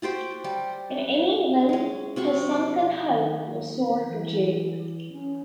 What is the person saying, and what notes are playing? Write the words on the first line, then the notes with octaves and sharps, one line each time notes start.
In any event, her sunken hulk was sold to J.
F#4 G4 C5 G5
G3 G4
G#3 C#4
C3 F#4 C#6
D#3
E3
C#4